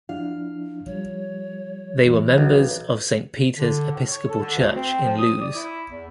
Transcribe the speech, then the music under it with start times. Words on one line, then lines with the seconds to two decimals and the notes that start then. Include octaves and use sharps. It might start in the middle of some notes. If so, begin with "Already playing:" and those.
They were members of Saint Peter's Episcopal Church in Lewes.
0.09 F3 D4 E4 F5
0.86 F3 G3 C#5
2.06 A#2 E3
2.38 B1
3.57 D3
3.92 A2
4.09 C#5
4.29 A4
4.41 D3
4.55 D2
4.75 C4
5.03 F3
5.17 D#6
5.41 D5
5.54 E4
5.90 E2